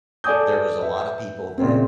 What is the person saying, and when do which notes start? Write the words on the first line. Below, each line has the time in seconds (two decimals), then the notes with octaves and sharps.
there was a lot of people that
0.24 A4 D5 G#5 D6 D#6 G6
0.80 B4 E5
1.58 A#2 C#3 C4